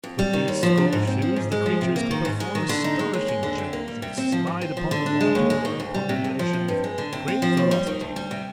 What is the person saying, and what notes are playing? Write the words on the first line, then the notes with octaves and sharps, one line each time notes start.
With these skull-shoes the creatures could perform astonishing journeys, and slide upon the water, or upon the ocean, with great velocity.
F2
G3
D#3
D#2
F3
D3
G#2
C4
F3
G#2
G#3
F3
C3
A#3
D#3
G#2
G#3
D#3
D3
D#4
G#3
D#2
G#3
D3
C3
A#3
G3
C3
C4
F3
G#2
C4
F3
D3
D4
G#3
D#2
G#3
D#3
D2
G3
C3
F2
F3
C3
G2
G#3
D3
C3
C4
F3
D#2
G3
D#3
D2
G3
C3